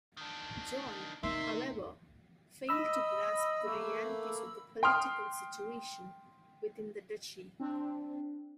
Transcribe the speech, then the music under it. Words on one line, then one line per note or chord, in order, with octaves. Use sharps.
John, however, failed to grasp the realities of the political situation within the duchy.
D#3 D4
C3 D#3 A#3 E5 C6
D#5 B5 E6
A3 A#3
G5 C6 D#6 F6
C4 D4